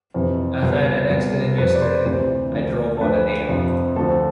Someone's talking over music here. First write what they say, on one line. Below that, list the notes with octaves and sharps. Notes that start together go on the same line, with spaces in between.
I had an accident yesterday, I drove on a nail.
F2 C3 E3
C2 B2
C2 B2
F2 C3 F3 B4
D5
C5
D2 C3 E3 C5
D2 D3 F3
A4
D2 D3 F3 B4
F2 C3 F3
D2 D3 F3 A4